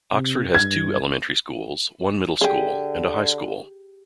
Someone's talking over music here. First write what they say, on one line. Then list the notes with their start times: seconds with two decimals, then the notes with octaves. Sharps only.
Oxford has two elementary schools, one middle school, and a high school.
0.12 C3
0.55 G2 G#6
2.41 D3 G4 G#4